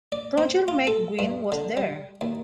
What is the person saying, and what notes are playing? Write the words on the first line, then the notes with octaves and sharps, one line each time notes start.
Roger McGuinn was there.
D5
C4
F4
A4
G2
D3
G3
D#2